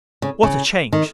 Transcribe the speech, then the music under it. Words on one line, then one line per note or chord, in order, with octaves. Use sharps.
What a change!
C#3
C#3
D#3